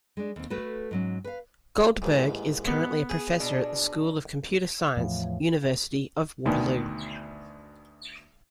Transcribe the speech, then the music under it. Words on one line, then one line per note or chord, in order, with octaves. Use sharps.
Goldberg is currently a professor at the School of Computer Science, University of Waterloo.
G#3 D4
D#2 C4
A3 F#4 A4 B4
G#2 F#3 C#4
B4 F5
A1 D#2 G#2
B3
G#4
B2 D4
E2 A2 F3
D2 B2 D#3